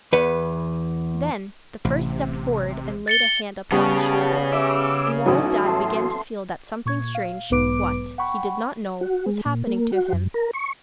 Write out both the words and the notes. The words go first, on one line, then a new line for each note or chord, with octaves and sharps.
Then the first stepped forward and laid a hand upon his shoulder, and Wali Dad began to feel that something strange--what, he did not know--was happening to him.
E2 B4 F#5
A1 C3
A6 C#7 G7
C#3 G3 B3 G4 A5
E5 D6 E6
A1 F#3 D#4
A3 A4 C6
A#2 C#6 G#6
F5
B1 G#2 B3 B4 D6 D7
F#5 G5 B5 C#6
F#4
G#3
A#2
A#3
F#4
F#2
A#4
C#6